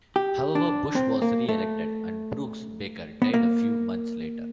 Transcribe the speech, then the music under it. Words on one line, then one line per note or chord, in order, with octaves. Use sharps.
However, Bush was re-elected, and Brooks-Baker died a few months later.
G4
D4
C4
A#3
A3
B3
A#3